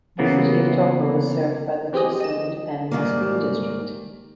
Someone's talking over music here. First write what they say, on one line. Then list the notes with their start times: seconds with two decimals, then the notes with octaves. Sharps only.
The City of Toco is served by the Chisum Independent School District.
0.19 C#3 E3 A#3 B3
1.93 E3 C4 G4 G#4 D#5
2.20 D#5 E7
2.91 G#2 B2 D#3 G3 A#3